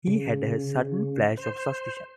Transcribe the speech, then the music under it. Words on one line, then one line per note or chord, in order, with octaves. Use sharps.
He had a sudden flash of suspicion.
C#3
C5